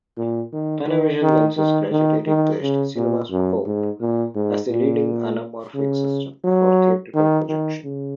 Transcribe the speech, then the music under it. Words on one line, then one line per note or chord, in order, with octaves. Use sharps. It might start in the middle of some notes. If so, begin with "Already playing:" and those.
Panavision lenses gradually replaced CinemaScope as the leading anamorphic system for theatrical projection.
A#2
D#3
D#3
D#3
D#3
D#3
D#3
C#3
A#2
F#2
G#2
A#2
G#2
A#2
C#3
F#3
D#3
D#3
C#3